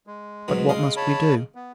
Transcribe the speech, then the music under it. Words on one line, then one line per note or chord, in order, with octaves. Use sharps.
But what must we do?
G#3
G#2 B2 F#3
C#3 D#5 F5
C#5 A5 B5
B3